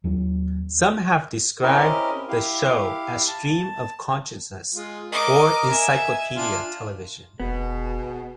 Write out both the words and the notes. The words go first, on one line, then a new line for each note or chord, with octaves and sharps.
Some have described the show as "stream-of-consciousness" or "encyclopedia" television.
D#2 F#3
C4 C#4 E4 G4 A#4 D#5
E4 G4 F5
A5
G#3 F4
A#4 D#5 D6
E5 G#5
D4 F4
F1 B2 B3 G#4